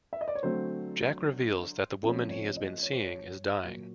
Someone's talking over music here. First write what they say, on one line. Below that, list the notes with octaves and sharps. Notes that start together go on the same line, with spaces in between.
Jack reveals that the woman he has been seeing is dying.
E5
D#5
D5
C#5
D3 F#3 A3 C4 C5
C#3 F3 A3 C4 C#5
C#5
D#5
C#5
C5
C#5
A#2 F#3 A#3